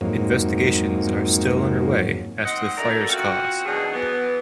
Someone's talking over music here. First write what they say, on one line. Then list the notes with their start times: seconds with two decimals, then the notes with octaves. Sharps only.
Investigations are still underway as to the fire's cause.
0.01 F2 G#2 F#3 A#3
2.45 C4 D#4 D#5 F#5
2.77 D2 A3 A#4 D5
3.09 F3 C4 C#4 F#4
3.65 B2 D#3 F#3 D4 G#4
3.93 E3 F#3 B3